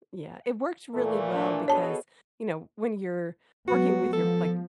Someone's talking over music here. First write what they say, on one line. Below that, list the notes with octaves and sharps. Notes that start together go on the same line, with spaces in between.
Yeah, it worked really well because, you know, when you're working with your like,
A#2 E3 A3 A4
D4
B2 G#4 A4 C#5 A5
F#3 G#3 B3 F#4
F3 A4